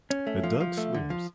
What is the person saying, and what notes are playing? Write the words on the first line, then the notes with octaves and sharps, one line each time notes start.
A dog swims.
C#4
A3
F3
F3
A3
D3
F3